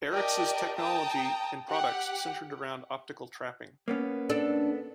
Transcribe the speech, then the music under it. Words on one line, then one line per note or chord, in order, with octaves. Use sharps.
Arryx's technology and products centered around optical trapping.
G4 A#4 D5 D#5 G5 A5
G5 A5 A#5 D#6
G4 F#5
A#3 B3 C#4
D4 A4